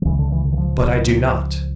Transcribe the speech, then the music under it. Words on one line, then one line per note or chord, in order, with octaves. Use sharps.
"But I do not."
F3
C#2 C#3 E3
D3
E3
D3
E3
F3